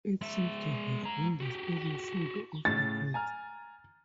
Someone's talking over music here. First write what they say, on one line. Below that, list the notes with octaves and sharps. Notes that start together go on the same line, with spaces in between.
It seems to have been the staple food of the Greeks.
G#3 E5
G#3 A#5
F#4 G4
A2 C#3 A6
G#5 A#5 F6